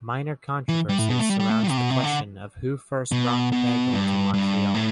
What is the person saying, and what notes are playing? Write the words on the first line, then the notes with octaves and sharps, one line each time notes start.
Minor controversy surrounds the question of who first brought the bagel to Montreal.
E3
G3
A2
B2
A3
G3
G3
A3
G3
C3
B2
C3
D3
B2
B2
G2
G2
A2